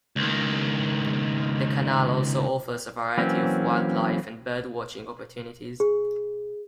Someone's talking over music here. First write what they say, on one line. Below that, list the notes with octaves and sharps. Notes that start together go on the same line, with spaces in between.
The Canal also offers a variety of wildlife and birdwatching opportunities.
C#2 D#3
E3 F#3 A#3 C4 C#4
G#4